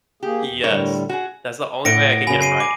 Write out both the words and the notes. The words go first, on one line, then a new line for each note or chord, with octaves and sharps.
Yes, that's the only way I can get 'em right.
A#3 G4 G#4
E2
A2 D3 G3 A#4 C#5
F#4 G#4
A2 F#5 A#6 C#7 D7
F#2 C#3 G#5 B5
G#5 C7 D#7
D6